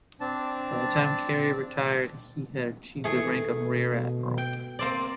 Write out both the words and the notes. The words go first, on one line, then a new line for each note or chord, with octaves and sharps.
By the time Cary retired he had achieved the rank of Rear Admiral.
C4 D4 A5
D#3 E3 A3 G#4 G#5
B2
G5
A#3 C4 D5